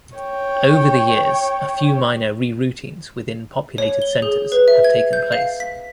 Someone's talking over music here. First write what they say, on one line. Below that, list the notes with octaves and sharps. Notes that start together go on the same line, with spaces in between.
Over the years a few minor reroutings within populated centers have taken place.
C#5 G5
C#5
G7
G#4
B4
E5
G#6
G6
F5
B6